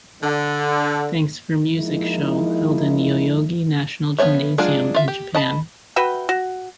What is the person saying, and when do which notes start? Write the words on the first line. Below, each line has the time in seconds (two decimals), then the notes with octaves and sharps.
Thanks For Music show held in Yoyogi National Gymnasium, in Japan.
0.23 D3
1.76 F3 G#3 A#3 D#4 E4
4.18 F3 B3 C4 C#5 E5
4.58 F#3 G#3 D4 F4 G#4
4.94 F4 E5
5.08 G4
5.34 D#5 A5 B5
5.96 F#4 B4 E5 G5
6.29 F#4